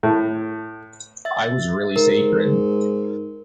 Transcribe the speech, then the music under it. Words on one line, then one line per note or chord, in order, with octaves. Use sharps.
I was really sacred!
A2
E5 A6
G#2 A#4